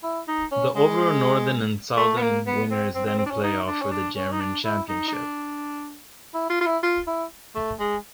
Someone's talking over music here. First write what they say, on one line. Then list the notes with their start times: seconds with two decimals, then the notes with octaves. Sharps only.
The overall northern and southern winners then play off for the German Championship.
0.04 E4
0.28 D#4
0.52 C#4
0.76 G#3
1.97 A3
2.17 B3
2.22 A#3
2.47 B3
2.71 C4
2.95 C4
3.06 C4
3.19 C4
3.26 D4
3.31 C#4
3.43 D#4
3.67 D4
3.82 C#4
3.92 D4
4.16 C#4
4.32 D#4
4.40 D4
4.65 E4
4.89 D#4
5.08 D#4
5.13 D4
6.34 E4
6.50 F4
6.61 F4
6.67 E4
6.83 F4
7.07 E4
7.55 A3
7.80 G#3